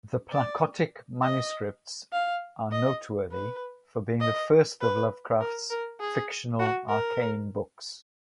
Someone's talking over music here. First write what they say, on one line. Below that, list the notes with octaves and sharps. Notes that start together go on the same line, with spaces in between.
The Pnakotic Manuscripts are noteworthy for being the first of Lovecraft's fictional arcane books.
D5
D#5
F5
D#5
B4
D#5
B4
A#4
A#4
G#4
F#4
A#4